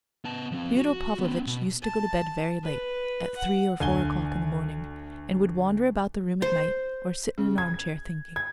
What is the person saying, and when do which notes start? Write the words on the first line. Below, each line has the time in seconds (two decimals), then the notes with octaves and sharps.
Fyodor Pavlovitch used to go to bed very late, at three or four o'clock in the morning, and would wander about the room at night or sit in an arm-chair, thinking.
0.25 B3 A5
0.51 F3 C4
0.77 F#4
1.19 B3 C#4
1.46 B2
1.82 A5
2.63 B4
3.37 F#5
3.80 D2 G#5 G7
6.42 C5
7.38 C#3
7.58 G#6
8.36 G#6